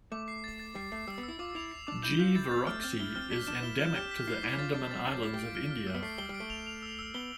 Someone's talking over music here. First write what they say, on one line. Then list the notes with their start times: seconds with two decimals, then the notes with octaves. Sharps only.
"G. verreauxi" is endemic to the Andaman Islands of India.
0.12 A3 D6
0.28 C7
0.44 A6
0.59 A6
0.75 G3 C7
0.92 A3 C7
1.08 G3 E6
1.18 B3
1.23 E6
1.28 E4
1.39 F4 D6
1.55 E4 F7
1.72 C7
1.87 D4 D6
2.03 E4 G6
2.19 F4 G6
2.35 E4 A6
2.45 C4
2.51 B3 A6
2.67 A3 F6
2.83 C4 F6
2.99 E4 G7
3.15 C4 F6
3.31 D4 B6
3.47 D4 E7
3.63 E4 G7
3.79 F4 G6
3.95 G4 F6
4.11 B6
4.27 E4 C7
4.43 E4 D6
4.59 F4 A6
4.74 D4 A6
4.91 C4 A6
5.07 D4 A6
5.22 E4 B6
5.33 G4
5.39 F4 D7
5.55 F6
5.70 F6
5.87 E6
5.95 B3
6.03 A3 C7
6.18 G3 G7
6.29 G3
6.34 D7
6.40 A3
6.50 F7
6.66 F7
6.83 E6
6.99 E6
7.14 B3 G7